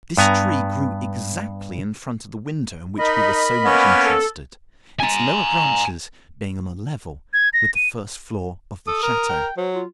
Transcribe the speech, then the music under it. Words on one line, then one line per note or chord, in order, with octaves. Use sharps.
This tree grew exactly in front of the window in which we were so much interested, its lower branches being on a level with the first floor of the chateau.
G2 B3 G#5 A#5
D#4 A#4 D#5 B5
A#3 B3 C#4
A4
G#5 A#5
G#6
A#6
D#7
A4 D#6
A#4
G5
F#3 C5
F4